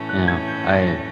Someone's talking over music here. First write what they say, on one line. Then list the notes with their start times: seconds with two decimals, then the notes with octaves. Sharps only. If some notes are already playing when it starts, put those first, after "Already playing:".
Yeah. I
Already playing: A2 E3 A3 C#4
0.09 F#6
0.28 G#6
0.47 G6
0.68 A6
0.87 A#6